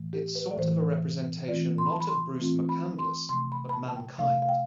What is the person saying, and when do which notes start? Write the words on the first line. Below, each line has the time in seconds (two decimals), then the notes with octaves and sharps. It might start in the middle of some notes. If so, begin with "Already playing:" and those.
It's sort of a representation not of Bruce McCandless, but mankind.
Already playing: A2 E3 A3
0.13 G4
0.35 B4
0.51 D5
0.57 A2 E3 A3 C5
1.48 E3 A3 C4 F4 D5
1.78 C6
1.86 B5
1.92 A5
2.01 B5
2.08 C6
2.39 E3 A3 C4 F4
2.69 B5
2.99 C6
3.29 C3 F3 A3 C6
3.52 B5
3.69 B5
3.73 A5
3.88 A5
3.96 G5
4.19 C3 F3 A3 F5
4.42 F5
4.49 G5